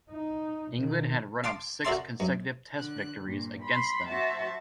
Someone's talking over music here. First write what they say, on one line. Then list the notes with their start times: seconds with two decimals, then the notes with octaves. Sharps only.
England had run up six consecutive Test victories against them.
0.11 D#4
0.72 B2 D#3
1.44 F5 A5 C6 D6
1.85 F#4 A#4 D5 E5 A5 C6
2.20 F#2
2.77 D3 F#6
3.21 G2 A#2
3.61 B5 C6
4.07 F#4 C5 E5 A5